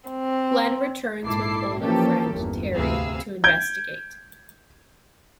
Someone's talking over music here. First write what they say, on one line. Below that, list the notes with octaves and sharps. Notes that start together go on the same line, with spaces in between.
Glen returns with older friend Terry to investigate.
C4
A#1 G#2 E4 A4 D6 C7
E3 F3 A#3 C#4 G4 A4
G1 E2 A#2
D2 C3 G#4 B4 F5 E6
G6 G#6 D7